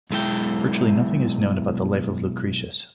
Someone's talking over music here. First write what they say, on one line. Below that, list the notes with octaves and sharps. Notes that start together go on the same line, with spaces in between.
Virtually nothing is known about the life of Lucretius.
B1 G#3 E4 G5